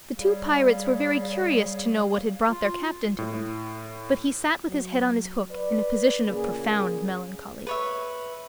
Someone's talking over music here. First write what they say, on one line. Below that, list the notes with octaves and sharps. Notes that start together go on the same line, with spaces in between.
The two pirates were very curious to know what had brought their captain to them, but he sat with his head on his hook in a position of profound melancholy.
G3 G#4 C#5 F5
F4
A2
F#3
B4 D5
A#2 C#3 A#3 G#4
B4 C#5 E5